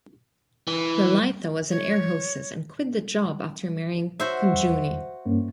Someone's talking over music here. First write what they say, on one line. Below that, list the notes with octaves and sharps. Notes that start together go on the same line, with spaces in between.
Lalitha was an air hostess and quit the job after marrying Kunjunni.
E3
C#5
F#4 C5 E5
E2
G2 A#3 C#4